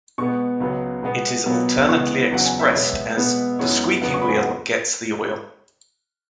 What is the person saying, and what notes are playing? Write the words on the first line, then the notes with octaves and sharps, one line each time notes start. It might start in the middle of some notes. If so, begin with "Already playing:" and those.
It is alternately expressed as "The squeaky wheel gets the oil".
B2 G#3 B3 C#6
C#2 C#3 F#3 B3
B2 G#3 B3
B2 F#3 B3
C#2 C#3 E3 G#3 B3 C#6
E2 C#3 F#3 F#5
G#5
E5
B2 G#3 B3 C#5
E5
B2 G#3 B3
F#2 E3 G#3 B3 C#5
E2 C#3 F#3 B3
C#6
B5
G#5
F#5